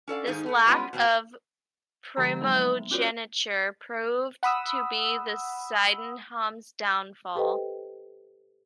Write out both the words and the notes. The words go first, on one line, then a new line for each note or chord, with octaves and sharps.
This lack of primogeniture proved to be the Sydenham's downfall.
C#4 A4 D5 F5
G#2 D#3 D#4 G#4 F5
A3 B3
G3 G#3 B3 C#4 F4
B2 A#3 C4
D3 F3 G#3 G4 A#5 G#6
F#3 G#3 A#3 D#4
B3 E5
C#4 F4 F#4 A#4 C#5 D5
F#5 B5 D#6 E6
G4 A4 B4 C5 D#5 G5